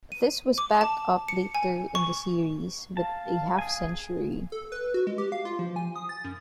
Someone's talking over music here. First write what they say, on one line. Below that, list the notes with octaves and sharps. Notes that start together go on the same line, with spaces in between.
This was backed up later in the series with a half century.
D#7
D6
A5
C#7
G#5
C#6
F5 A5
G#4 G#5
A4
B4
F#4
G#3
G4
F5
F4
F3
G#5
D#6
A6
F#2